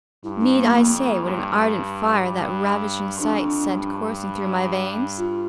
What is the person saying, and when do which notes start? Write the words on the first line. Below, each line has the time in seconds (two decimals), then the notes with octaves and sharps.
Need I say what an ardent fire that ravishing sight sent coursing through my veins?
0.24 G2 E4
0.40 D4
0.56 A#3
0.73 F2
1.23 G2
2.22 G2
3.20 F2 D4
3.70 G2
5.18 F4